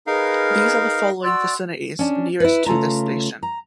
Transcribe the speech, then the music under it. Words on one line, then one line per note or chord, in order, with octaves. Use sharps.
These are the following victinities nearest to this station.
D#4 G#4 A#4 B4 F5
F#4 D5 C6 E6
C#4 D4
E4 B4
C#3 A3 F4 A#5
A#5